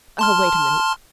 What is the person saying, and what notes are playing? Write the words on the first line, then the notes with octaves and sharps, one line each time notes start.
'Oh, wait a minute.
A5 C6 F6